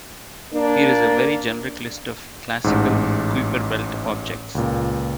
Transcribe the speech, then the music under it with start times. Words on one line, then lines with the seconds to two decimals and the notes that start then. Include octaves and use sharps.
Here is a very generic list of classical Kuiper belt objects.
0.52 A#3 D4
2.64 A1 G#2
4.55 C#2 A#2